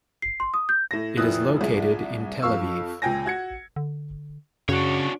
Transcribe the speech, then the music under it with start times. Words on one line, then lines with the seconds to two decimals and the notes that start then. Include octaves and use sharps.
It is located in Tel-Aviv.
0.22 C7
0.40 C6
0.54 D#6
0.69 G6
0.91 A2 A#6
1.17 F1 A2 F3 E4 D#6 F#6
1.61 C2 F3 G#4
2.42 F2 F5 C#6 E6
3.02 C#2 A#2 G5 G#5 A#6
3.26 F#4 G#6 C#7
3.76 D3
4.69 F#2 C#3 D4 F#4 C#5